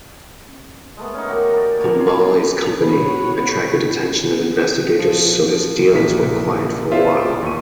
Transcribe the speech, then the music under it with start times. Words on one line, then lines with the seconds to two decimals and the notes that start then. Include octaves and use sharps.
Hambali's company attracted attention of investigators so his dealings went quiet for a while.
0.97 G#3 A3 B3
1.14 C#4 D#4
1.27 D#3 F#4 G4
1.53 A#4 D5
1.77 A#3
2.00 G#5 C6
2.81 B3 F#4 C#5 B5
4.99 F3
5.91 A#1 B6
6.92 F4 G#4 C5 D5 E5
7.42 D#2 C#6 D#7